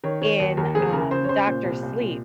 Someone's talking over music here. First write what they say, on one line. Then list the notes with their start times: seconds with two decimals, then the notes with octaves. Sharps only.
in, um, Doctor Sleep.
0.04 D#3 C#5
0.21 D#3 C#5
0.40 D#2
0.57 D#2 A#4
0.75 F1 G#4
0.93 C#3 A#4
1.11 C#3 C5
1.24 C#5
1.28 C#3 C5
1.47 A#2 C5
1.64 C2
1.83 C2
2.00 A#2